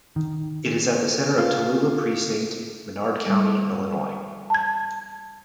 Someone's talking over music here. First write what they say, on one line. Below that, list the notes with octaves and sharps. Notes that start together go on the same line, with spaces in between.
It is at the center of Tallula Precinct, Menard County, Illinois.
D#3
F4
G3
A5 G#6